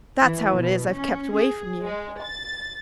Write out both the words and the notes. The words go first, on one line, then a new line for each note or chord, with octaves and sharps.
That's how it is I've kept away from you.
E3
B2
C#4
G#4
G#3
A6